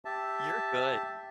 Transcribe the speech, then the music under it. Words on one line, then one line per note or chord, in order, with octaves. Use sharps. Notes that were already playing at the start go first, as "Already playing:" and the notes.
You're good.
G4 E5 A5